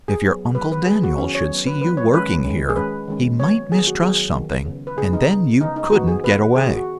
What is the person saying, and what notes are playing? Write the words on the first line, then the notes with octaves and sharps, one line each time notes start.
"If your uncle Daniel should see you working here, he might mistrust something, and then you couldn't get away."
G#4
F#3 B3
F#3 B3 B4
B4
D#3 F#3 B3 G#4
F#4
D#3 F#3 B3 C#4
C#5
D#3 F#3 B3
B4
D#3 F#3 B3 B4
C#5
D#3 G#3 C#4 B4
D#3 G#3 C#4
G#4
D#3 G#3 C#4 B4
D#3 G#3 C#4
D#3 F#3 B3 C#5
D#3 F#3 B3 G#4
F#4
D#3 F#3 B3 G#4
D#3 F#3 B3
C#3 B3
B4
C#3 B3 G#4
D#4
C#3 B3
C#3 B3 D#4
D#4
D#3 B3 F#4
G#4
D#3 B3 B4
D#3 B3 G#4
F#4
F#4